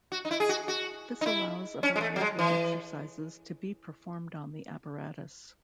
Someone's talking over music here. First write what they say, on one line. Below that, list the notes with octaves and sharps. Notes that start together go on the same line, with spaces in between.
This allows a variety of exercises to be performed on the apparatus.
F#4
D#4
E4
G#4
F#4
F#4
D#4
E4
C#4
G#3
A3
F#3
G#3
E3